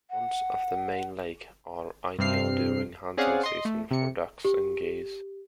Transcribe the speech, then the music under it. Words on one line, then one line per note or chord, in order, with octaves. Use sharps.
Ponds off the main lake are ideal during hunting season for ducks and geese.
F#5
G2 C3 C4 F6 C7
C4 C#4 G#4 D5 F5 F#5
D#5 C6
A3
C3 C#7
G4